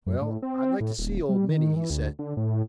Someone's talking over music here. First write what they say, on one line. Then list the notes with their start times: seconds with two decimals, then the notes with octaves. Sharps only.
"Well, I 'd like to see old Minty," he said.
0.06 F#2
0.22 A2
0.43 C4
0.81 A2
0.98 D#1
1.29 G3
1.49 D#3
1.76 E3
1.90 D2
2.19 D3
2.37 A2